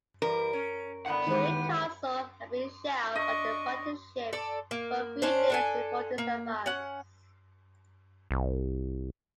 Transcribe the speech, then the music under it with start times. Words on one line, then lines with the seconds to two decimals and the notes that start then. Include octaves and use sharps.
Shuri Castle had been shelled by the battleship for three days before this advance.
0.22 E3 G3 A#4
0.53 C#4
1.06 A2 D3 F#5 B5
1.27 A2 D#3 E3 G#3 G4
3.15 D4 D#5 C#6
4.33 A4 D5
4.71 A#3
5.22 C#4 D4 C5
5.50 D4 A4 G#5
6.18 A#3
6.66 C#4 F#5
8.31 C2